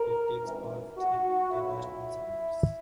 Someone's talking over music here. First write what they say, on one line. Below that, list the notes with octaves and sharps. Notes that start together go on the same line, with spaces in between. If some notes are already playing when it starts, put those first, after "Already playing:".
He takes part in international seminars.
Already playing: A#4
G#1 F#2 E3
F#4
B1 A#2 F#3 E4